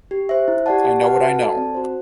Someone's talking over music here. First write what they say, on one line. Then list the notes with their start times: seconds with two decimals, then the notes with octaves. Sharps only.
I know what I know.
0.11 G4
0.29 C5 E5
0.48 E4
0.66 G4 D5 F#5 A5
0.84 G4
1.02 B4 F#5 A5
1.20 F#4
1.39 A4 D5 A5
1.57 C4
1.75 F#4 C5